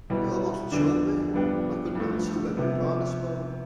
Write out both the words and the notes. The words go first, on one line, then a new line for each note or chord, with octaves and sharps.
It almost choked me, and I couldn’t answer when my partner spoke.
B2 G3 B3 E4
E2 D3 F3 B3 D4
G2 F3 B3 D4 G4
G2 F3 A3
C3 F3 B3